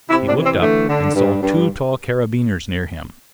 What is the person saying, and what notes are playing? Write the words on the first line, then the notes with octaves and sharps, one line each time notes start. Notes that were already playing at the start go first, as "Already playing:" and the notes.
He looked up and saw two tall Carabineers near him.
C3 E4
D4
E3
C4
D3 A3
D3
G2
G2